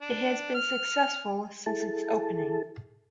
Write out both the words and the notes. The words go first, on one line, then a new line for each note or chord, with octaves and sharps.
It has been successful since its opening.
D4
F6
E4 G#4 A4 A5